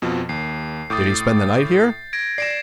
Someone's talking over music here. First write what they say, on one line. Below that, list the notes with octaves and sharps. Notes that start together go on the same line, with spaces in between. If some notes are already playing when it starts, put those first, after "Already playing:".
"Did he spend the night here?"
F2 B2 F3
D#2 C7
A2 D6 D#6 G6 A6
G#6 A#6 D7
D5 A#6 C7 D7 E7